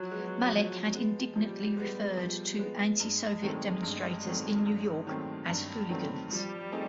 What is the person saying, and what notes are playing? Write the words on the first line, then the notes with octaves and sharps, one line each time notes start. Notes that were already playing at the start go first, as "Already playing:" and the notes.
Malik had indignantly referred to anti-Soviet demonstrators in New York as "hooligans".
Already playing: F3 F#3
G#3 B3
F3
G#3 B3
F3 G3
G#3 B3
F3
G#3 B3
G2 G#3
D#3 F#3 A3 C4
G2
D#3 F#3 A3 C4
G2
D#3 F#3 A3 C4
G2
D#3 F#3 A3 C4
F3 G3
A3 C4 D#4 G#4